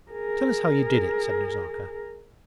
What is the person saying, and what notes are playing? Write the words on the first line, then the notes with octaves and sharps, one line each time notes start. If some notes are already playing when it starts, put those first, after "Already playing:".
Tell us how you did it!' said Nazarka.
G#4 A#4